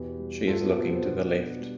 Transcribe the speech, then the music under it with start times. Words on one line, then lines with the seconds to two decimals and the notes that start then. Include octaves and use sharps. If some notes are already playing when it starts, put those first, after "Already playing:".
She is looking to the left.
Already playing: E2 B2 G4 B4
0.19 G3
0.46 G3 F4 A4
0.61 B3
0.76 B2 C4
0.89 C4
1.03 B2 B3 D4
1.32 B2
1.60 G3